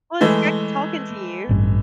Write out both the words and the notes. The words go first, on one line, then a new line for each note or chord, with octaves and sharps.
Well, it's great talking to you.
E3 G#3 A3
A1 G2